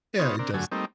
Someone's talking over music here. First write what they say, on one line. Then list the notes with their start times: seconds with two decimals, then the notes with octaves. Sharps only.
Yeah, it does.
0.19 B3 D#4 F4 C5 C#5
0.39 C4 D4 A#4
0.54 F#2 D3 F#3 A3 G#5
0.72 G3 A3 A#3 C4 D#4